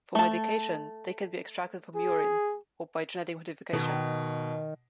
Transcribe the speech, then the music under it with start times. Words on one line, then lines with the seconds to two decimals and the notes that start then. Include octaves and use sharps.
For medication, they can be extracted from urine or by genetic modification.
0.15 A3 A5
1.95 G#4
3.73 B2 D#3